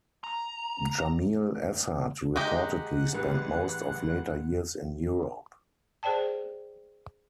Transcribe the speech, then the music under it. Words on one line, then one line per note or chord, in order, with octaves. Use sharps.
Jamil Assad reportedly spent most of later years in Europe.
A#5
G#3 D#4 G4 F#5
A1 G3 B4
G#4 C5 D5 G5 A5